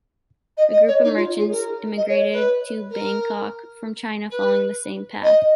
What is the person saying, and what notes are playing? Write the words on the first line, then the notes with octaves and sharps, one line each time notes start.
A group of merchants emigrated to Bangkok from China following the same path.
D#5
D#5
C#5
D#4
F4
G#4
A#4
D#5
C#5
B4
A#4
B4
D#5